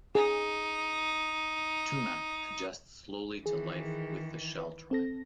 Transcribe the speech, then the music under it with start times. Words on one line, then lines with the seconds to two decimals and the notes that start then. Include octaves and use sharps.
Tumak adjusts slowly to life with the Shell Tribe.
0.15 D#4 G#4
3.46 D#3 E3 G#4
4.58 B4
4.91 C4 A4 A#6